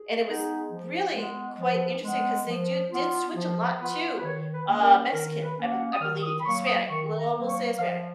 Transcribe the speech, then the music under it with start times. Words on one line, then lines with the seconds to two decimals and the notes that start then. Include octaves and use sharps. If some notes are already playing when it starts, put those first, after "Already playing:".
And it was really quite interesting 'cause they do did switch a lot to, uh, Mexican, I be I believe, Hispanic. Well, we'll say Hispanic.
Already playing: G#4
0.26 G#3 B3 D#4
0.70 F3
1.14 G#3 B3
1.59 F3
2.02 G#3 B3
2.47 F3
2.91 B3 F4
3.35 F3
3.79 B3 F4 B4
4.18 B4
4.24 D#3 C#5
4.54 B4
4.68 A#3 C#4
4.83 A#4
5.13 D#3 A#4
5.42 B4
5.57 A#3 C#4
5.71 F#5
5.93 D#6
6.01 D#3 F6
6.23 D#6
6.40 B5
6.46 F#3 A#3 C#6
6.67 D#6
6.90 D#3 C#6
7.19 A#5
7.34 F#3 A#3
7.49 C#6
7.78 F3 F5